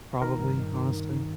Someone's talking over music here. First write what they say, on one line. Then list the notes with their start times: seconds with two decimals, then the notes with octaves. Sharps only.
Probably, honestly.
0.21 D#3 A#4
0.39 G2
0.58 D#3
0.75 D#3
0.93 D#3
1.10 D#3